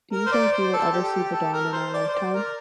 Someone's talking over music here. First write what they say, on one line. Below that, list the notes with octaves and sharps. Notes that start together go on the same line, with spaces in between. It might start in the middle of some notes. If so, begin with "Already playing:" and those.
Do you think we will ever see the dawn in our lifetime?
A#4
C5
D5
C5
A4
G4
G4
A4
A#4
C5
D5
C5
D5
A#4